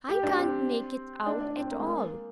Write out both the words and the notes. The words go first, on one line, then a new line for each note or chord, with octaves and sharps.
I can't make it out at all.
G4
D4
C4
D4
D4
C4
A#3
G#3
A#3